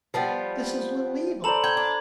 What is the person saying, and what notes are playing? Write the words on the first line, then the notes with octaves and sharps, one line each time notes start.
"This is Little Eva."
F3 G3 B3 B4 G5
A4 C5 D5 A#5 B5 F#7
G5 G#6
D4